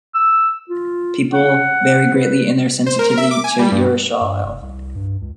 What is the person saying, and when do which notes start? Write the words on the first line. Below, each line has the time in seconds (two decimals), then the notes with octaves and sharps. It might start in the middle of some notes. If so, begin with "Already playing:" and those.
People vary greatly in their sensitivity to urushiol.
0.15 E6
0.69 F4
1.33 F#5
2.15 B4
2.86 C5
2.99 A#4
3.17 E5
3.31 D6
3.44 G#5
3.59 G3
3.72 G2
4.21 G2
4.44 F1
4.62 C2
4.95 G2
5.21 C#2